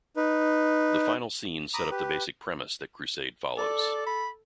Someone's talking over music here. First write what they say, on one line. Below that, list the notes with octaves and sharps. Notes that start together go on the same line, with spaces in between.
The final scenes set up the basic premise that "Crusade" follows.
D#4 B4
A#5 B5 D6 D#6
G4 B4
A4 D5
B5